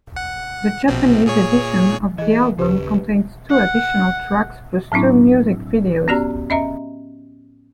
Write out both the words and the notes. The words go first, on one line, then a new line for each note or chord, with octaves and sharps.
The Japanese edition of the album contains two additional tracks plus two music videos.
F#5
A#1 B2 C4
A#2 G#4 C#5
E3 G#4 D#5
D#2 C#3 G4 B4
F#5
A2 F#3 C4 D4 E4
B3 C#4 F#4 G4 D5 A#5
C#4 D#5 E5 A#5